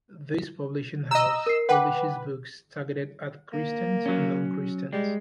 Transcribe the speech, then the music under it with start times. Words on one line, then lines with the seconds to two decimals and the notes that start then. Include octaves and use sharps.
This publishing house publishes books targeted at Christians and non-Christians.
1.11 D#5 A#5 E6
1.46 A#4 C7
1.69 B4 F#5 G5 D6
3.53 A#3
4.06 F#3 C#4
4.93 G3 G#3